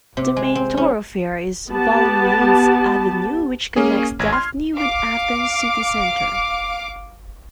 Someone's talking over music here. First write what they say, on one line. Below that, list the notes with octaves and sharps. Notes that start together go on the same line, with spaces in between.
The main thoroughfare is Vouliagmenis Avenue, which connects Dafni with Athens city centre.
C3
G#3
C4
C#4
B3 G4 A5
A#3 C#4 G#4
A1 G#6
C6 F6
F5 D6